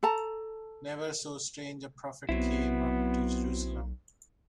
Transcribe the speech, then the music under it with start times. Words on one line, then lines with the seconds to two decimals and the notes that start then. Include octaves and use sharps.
Never so strange a prophet came up to Jerusalem.
0.03 A4 A5 A#5
2.29 B1 F#3 B3 C4 E4